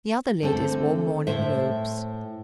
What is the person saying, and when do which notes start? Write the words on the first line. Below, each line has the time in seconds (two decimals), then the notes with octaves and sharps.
The other ladies wore morning robes.
0.42 D3 A3 C4 A4
1.27 A2 C5 E5